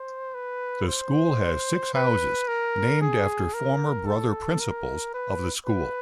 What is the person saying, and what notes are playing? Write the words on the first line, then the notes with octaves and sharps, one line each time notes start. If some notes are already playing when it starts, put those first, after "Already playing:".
The school has six houses named after former brother principals of the school.
Already playing: C5
B4
C5
B4
A#4
G#4
A#4
A4
A#4
B4
B4